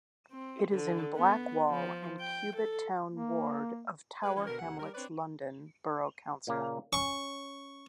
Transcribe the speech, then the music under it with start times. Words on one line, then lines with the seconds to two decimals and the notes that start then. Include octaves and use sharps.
It is in Blackwall and Cubitt Town Ward of Tower Hamlets London Borough Council.
0.32 C4
0.70 D3
1.15 B3
1.70 F3
2.20 G5
2.56 A4
3.11 A#3
4.23 G#3 B4
4.35 E3 F3 G3 C#4 B4
4.47 B2 D3 A#4
4.59 D#2 C3 D#3 E4 F#5
4.80 G3 A#4
4.94 C4 D4 B4 C#5 D5
6.47 A#2 C#3 A#3
6.93 C#4 C#6